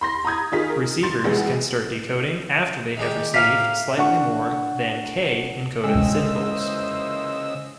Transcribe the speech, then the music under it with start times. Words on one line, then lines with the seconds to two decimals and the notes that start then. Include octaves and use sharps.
Receivers can start decoding after they have received slightly more than "k" encoded symbols.
0.01 B5 C6 A#6
0.25 A#5 B5 D#6 G#6
0.52 D#3 D#4 F4 G#4 B6
0.69 A#4
1.03 C6 A6
1.24 A1 G#3 B3 F#4 G#4
2.97 D#3 G#3 G4
3.34 A2 A#4 F5 D6 B6
3.98 D4 F#5 C#6
5.84 C#3 E3 G#3 A#3 C5 D#5 G5 E6